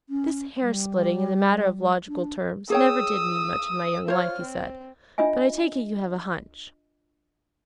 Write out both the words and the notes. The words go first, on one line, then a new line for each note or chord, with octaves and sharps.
"This hair-splitting in the matter of logical terms never did mean much in my young life," he said, "but I take it you have a hunch."
C#4
G3
D4
G#4 C#5 G5 D#6 E6
F4 C5 C#5 F6
C4
D4 F4 D#5 E5 G#5